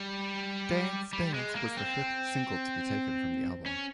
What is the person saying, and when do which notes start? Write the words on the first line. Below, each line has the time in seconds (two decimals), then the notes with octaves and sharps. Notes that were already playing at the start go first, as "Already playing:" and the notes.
"Dance Dance" was the fifth single to be taken from the album.
Already playing: G3
1.13 G3
1.34 G#3
1.55 A#3
1.77 C4
3.66 C#4